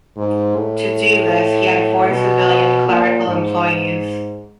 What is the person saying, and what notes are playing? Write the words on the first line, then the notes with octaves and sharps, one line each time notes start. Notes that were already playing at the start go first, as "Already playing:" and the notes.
To do this he had four civilian clerical employees.
G#2
A2
B2
A#2
G#2